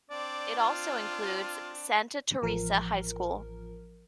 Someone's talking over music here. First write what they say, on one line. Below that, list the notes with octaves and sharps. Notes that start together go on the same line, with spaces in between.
It also includes Santa Teresa High School.
C4 D4 D5
F4
A1 F3 A#4